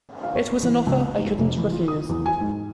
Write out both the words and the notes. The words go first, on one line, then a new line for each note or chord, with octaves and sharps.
It was an offer I couldn't refuse.
F5
C#5
E3
C#2
G#2
F1
E3
F4
D#6
E2
G#5
G#2